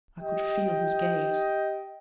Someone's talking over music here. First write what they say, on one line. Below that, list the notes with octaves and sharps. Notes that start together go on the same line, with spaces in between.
I could feel his gaze.
G4 D#5 G5